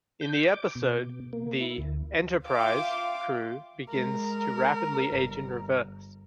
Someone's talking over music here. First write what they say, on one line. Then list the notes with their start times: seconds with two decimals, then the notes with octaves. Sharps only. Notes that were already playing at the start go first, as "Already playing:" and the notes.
In the episode, the "Enterprise" crew begins to rapidly age in reverse.
0.21 G6
0.43 D6
0.75 B2
1.33 A#3
1.61 E4
1.78 D2
2.47 F4 E5 F5 G5 C6 D6
3.90 G#3 A#4
5.09 G1